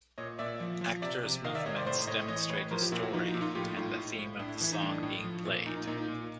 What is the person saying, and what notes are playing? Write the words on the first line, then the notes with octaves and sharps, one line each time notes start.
Actors movements demonstrate a story and the theme of the song being played.
A#2 C#5 D#5
A#2 D5 E5
F3
F3
C3 D5 E5
C3
D#3 D#5 F5
D5 E5
C3 C#5 D#5
C5 D5
A2 C5 D5
A2 C#5 D#5
E3 C#5 D#5
A2 B4 C#5
F3 A#4 C5
F4 G4
A#2 E4 F#4
E4 F#4
F3 D#4
D#4
A#2
D#4 F4
A2 F4 G4
A2 D#4 F4
A2
A2
A2 D4 E4
E3 E4
D#4
A2 D4
A2
F3
A#2
A#2 D#4
D#4
A#2 D#4
D#4
A#2